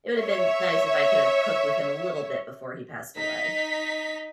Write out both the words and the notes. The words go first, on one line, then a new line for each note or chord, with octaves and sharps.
it would've been nice if I could've cooked with him a little bit before he passed away.
C#5 E5
D#4 B6